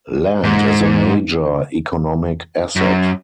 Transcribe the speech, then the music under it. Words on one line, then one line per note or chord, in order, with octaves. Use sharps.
Land is a major economic asset.
G#2
F#2